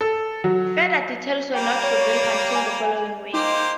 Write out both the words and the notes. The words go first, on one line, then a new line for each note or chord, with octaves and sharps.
Further details were not revealed until the following week.
A4
F#3
G3 A#3 G5
C#5
G#5
A#3 D#4 G4 C5